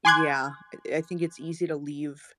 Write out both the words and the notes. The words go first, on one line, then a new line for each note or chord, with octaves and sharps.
Yeah, eh I think it's easy to leave
G#5 C6 D6 F#6 G#6